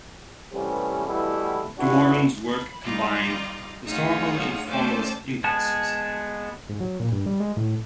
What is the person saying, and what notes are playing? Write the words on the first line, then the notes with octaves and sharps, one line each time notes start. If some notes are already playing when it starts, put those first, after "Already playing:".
Doran's work combined historical and formalist impulses.
C3 E3 G3 A3 B3 C#4
B2 E3 G3 A3 B3 E4
A1 E2 D4 E4 F#4
B5
G3 D#4 F4 D5
A3 D#4 F4 G#4 C#5 F#5
A3 C#4 C5 D5 G5 A5
G#3 B3 A5
G#2
F#3
A#2
G2
G3
G#3
A2